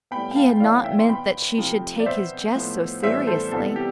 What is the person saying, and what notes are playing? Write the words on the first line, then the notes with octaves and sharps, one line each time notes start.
He had not meant that she should take his jest so seriously.
A2 G3 B3 G5 B5
G5
F5 A5
G5
A2 E3 B3 D5 F5
F5
E5 G5
C6
B2 B3 G5 B5
C3 F3 A3
D5
B2 B3 C5 E5
A2 F3 B3
A2 E3 G3 B3 C5 E5
A4 C5
C3 E3 G3 B3 A4
G4